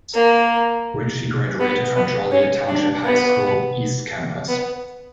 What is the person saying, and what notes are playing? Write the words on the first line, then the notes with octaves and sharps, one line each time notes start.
Richie graduated from Joliet Township High School, East Campus.
A#3
B3
B3
C#4
D4
B3
B3